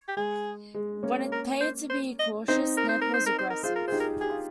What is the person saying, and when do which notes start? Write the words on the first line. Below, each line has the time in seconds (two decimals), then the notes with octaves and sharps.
When it paid to be cautious, Ned was aggressive.
0.08 G4
0.17 G#3 G#4
0.74 G#3
1.03 A#3 C#4
1.32 A#4
1.61 C5
1.90 C5
2.19 D#5
2.48 C4 D#4 C5
2.77 A#4
2.89 C5
3.01 A#4
3.14 C5
3.26 A#4
3.39 C5
3.50 A#4
3.63 F4 G#4 C5
3.76 A#4
3.88 G#4 C5
3.92 D#4 G4
4.00 A#4
4.20 G4 G#4
4.30 F4